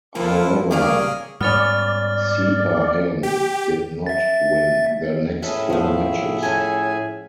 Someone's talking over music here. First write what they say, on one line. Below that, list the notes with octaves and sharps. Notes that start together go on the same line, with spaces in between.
However, Sepahan did not win their next four matches.
F3 A#3 E4 F4 A4 B4
D#3 G3 C#4 G#4 A#4 D5 F5
G#2 G3 B3 C#4 D5 F6 A6
G4
E5 A6
A2 C#4 G#4 A4 B4 E5
F3 A3
C#4 A4 G#5